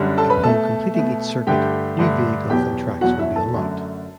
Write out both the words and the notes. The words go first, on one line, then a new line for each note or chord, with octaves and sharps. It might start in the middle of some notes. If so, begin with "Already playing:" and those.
Upon completing each circuit, new vehicles and tracks will be unlocked.
Already playing: F#2 D3 G3
A4 A5
B4 B5
B2 A3 A4 A5
B2 A3
G2 D3 A3 G4 G5
G2 D3 A3
E2 B2 F#3 G4 G5
E2 B2 F#3 F#4 F#5
E4 E5
A4 A5
F#2 D3 F#3 A3